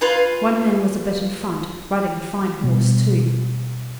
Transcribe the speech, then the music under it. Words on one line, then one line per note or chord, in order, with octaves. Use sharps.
One man was a bit in front--riding a fine horse, too.
F4 B4 G#5
B2 G3 B3